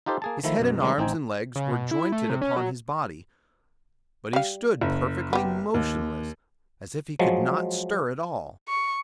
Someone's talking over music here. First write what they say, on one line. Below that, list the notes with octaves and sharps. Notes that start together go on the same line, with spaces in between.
His head and arms and legs were jointed upon his body, but he stood perfectly motionless, as if he could not stir at all.
D#4 F4 G4 A4 C5
A#3 G#4 A5
D#3 F3 A3 E4
F#2 B2
D#3 G3 G#3 C#4
A1 C4 D#4 G5 G#5
C#3
B2
E4
A3
C3
C#4
F#3
G3 F5
F#1
B3 G4
D#2
F3 F#3 G#3
C#6